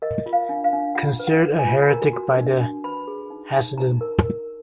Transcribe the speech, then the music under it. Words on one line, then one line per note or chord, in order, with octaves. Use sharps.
Considered a heretic by the Hasidim.
A#4 D#5
F4
F5
D4
F5
D4
F4 F#5
B4
F#5
B4
G#5
F4
A#4 A#5
F#4
D4
D4
B4 B5
G#4
D#4
D#4
D#4 A#5
A#4
A#4